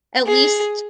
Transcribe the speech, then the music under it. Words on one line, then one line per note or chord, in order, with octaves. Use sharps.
at least,
G#4